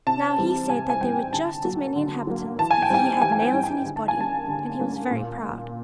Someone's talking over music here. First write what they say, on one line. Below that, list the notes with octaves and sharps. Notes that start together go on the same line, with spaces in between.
Now he said that there were just as many inhabitants as he had nails in his body; and he was very proud.
C3 A5
E3 G3 C4
C3 G#5
G#5
E3 G3 C4 G5
D3 A5
F#3 A#3
D3
F#3 A#3
E3 A5
G#5
G5
G3 C4 D#4 G#5
E3 G#5
G#5
G5
G3 C4 D#4
G#5
D3
A5
G#5
G3 A#3 C#4 A5
D3
G3 A#3 C#4
A#2